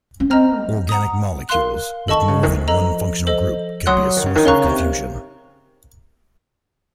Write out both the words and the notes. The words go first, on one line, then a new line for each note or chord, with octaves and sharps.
Organic molecules with more than one functional group can be a source of confusion.
C#4
C4 D#5 A#5 F6
F#3
F#5 A#5 D#6
A#4 F5 C6 F#6
D#3 A4 D#5 A5 C#6
C#3
D#3
F3
A4 D#5 A#5
A4 C5 D#5
F#3 F#5 C6 D#6 F#6
D#3
C#3
D#3
C#3 A#4 F5 A#5 C#6 F#6
C3